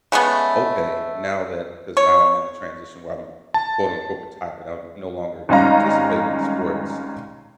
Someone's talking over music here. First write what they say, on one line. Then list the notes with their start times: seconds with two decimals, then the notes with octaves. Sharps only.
okay, now that 'cause now I'm in the transition where I'm, quote, unquote "retired," I no longer, uh, participate in these sports,
0.12 C#3 G#3 A3 B3
1.97 C#5
3.54 A5
5.49 G#1 G3 C#4 D#5 F5 A#5